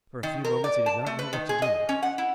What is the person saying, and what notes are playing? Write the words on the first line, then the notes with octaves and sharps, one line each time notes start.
For a few moments he did not know what to do.
D#3
A#4
D5
A5
A3
B4
D#3
G#4
D#5
C#4
F#5
E4